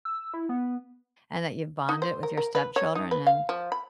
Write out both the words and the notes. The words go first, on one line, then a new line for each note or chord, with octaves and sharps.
and that you've bonded with your stepchildren and,
E6
E4
B3
D#4
C5
A#4
A#4
B4
C#5
D#4
B4
F5
F3
B5